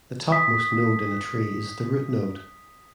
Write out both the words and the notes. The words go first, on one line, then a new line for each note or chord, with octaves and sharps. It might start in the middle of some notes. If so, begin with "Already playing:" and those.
The topmost node in a tree is the root node.
D#6 B6